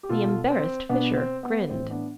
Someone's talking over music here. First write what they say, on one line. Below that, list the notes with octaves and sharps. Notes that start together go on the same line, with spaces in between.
The embarrassed Fisher grinned.
G4
B2 F4 A4
C4
B2 B3 D4
C4
B3
A2 E3 C4
B3 D4